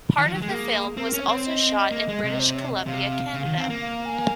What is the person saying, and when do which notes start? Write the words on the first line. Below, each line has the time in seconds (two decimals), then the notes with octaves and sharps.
Part of the film was also shot in British Columbia, Canada.
0.18 D#3
0.26 F3
0.34 F#3
0.42 G#3
0.49 A#3 G#4
0.97 C4 A#4
1.13 C#4
1.21 C#5
1.28 C4
1.45 D#5
1.92 A#3
2.08 G#3
2.24 C3
2.40 C5
2.55 C#5
2.71 D#5
2.86 C3 F5
3.34 C#3
3.45 D#3
3.58 C4
3.70 A#3
3.81 F5
4.05 G#5